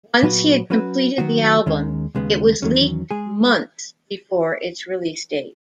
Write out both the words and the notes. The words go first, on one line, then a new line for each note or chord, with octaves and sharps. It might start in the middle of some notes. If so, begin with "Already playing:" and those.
Once he had completed the album, it was leaked months before its release date.
A#2 F#3 B3 F#4 B4
F#3 C#4 F#4 B4
D#3 F#3 B3 F#4
D#2 D#3 G#3 C#4
D#2 C#3 G#3 B3
E2 D#3 F#3 C#4
G#3 G#4